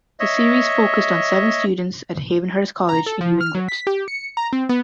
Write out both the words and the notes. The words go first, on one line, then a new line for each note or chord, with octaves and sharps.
The series focused on seven students at Havenhurst College in New England.
C#5 D#5 E5
A#5
A4
F3
F6
F#3
B6
G4
C#7
A#5
C4
B3